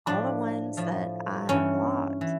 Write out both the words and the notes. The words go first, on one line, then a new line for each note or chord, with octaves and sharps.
all the ones that I blocked
A2 F3 D4
A2 F3
G2 E3 C#4
E3